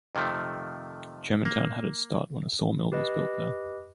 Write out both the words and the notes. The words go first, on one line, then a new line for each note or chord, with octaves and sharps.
Germantown had its start when a sawmill was built there.
F2 C3 D#3 F3 A3
A#3
G4 B4 D#5